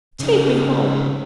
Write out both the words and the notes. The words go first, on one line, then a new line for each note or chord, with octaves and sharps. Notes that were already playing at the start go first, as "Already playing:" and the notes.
Take me home!
C#3 D#4